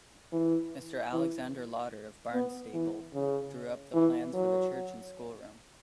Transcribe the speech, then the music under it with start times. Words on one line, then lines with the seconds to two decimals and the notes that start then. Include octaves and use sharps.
Mister Alexander Lauder of Barnstaple drew up the plans for the church and schoolroom.
0.32 E3
1.13 E3
2.33 B3
2.73 E3
3.14 C#3
3.94 E3
4.34 F#3